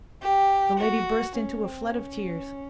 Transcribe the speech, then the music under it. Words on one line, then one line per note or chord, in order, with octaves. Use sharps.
The lady burst into a flood of tears.
G4
F#4
C#4
C4
C#4